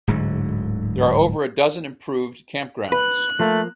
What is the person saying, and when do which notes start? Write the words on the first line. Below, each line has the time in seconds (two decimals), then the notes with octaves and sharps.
There are over a dozen improved campgrounds.
0.07 D1 G#2 D3 F#3
2.92 B4 F#6
3.40 F3 A3 A#3